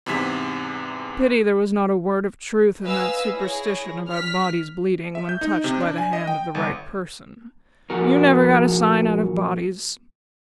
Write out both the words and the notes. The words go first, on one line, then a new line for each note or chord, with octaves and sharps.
Pity there was not a word of truth in that superstition about bodies bleeding when touched by the hand of the right person; you never got a sign out of bodies.
E2 G#2 C3 G#6 B6
B4 D#5 F5 G#5 E6
E4 G#4 C#5 A#6
F6 B6
E5
G6
D#4
C3
D4
G#5
D#5
G5
G1
A#2 F3 F#4 A#4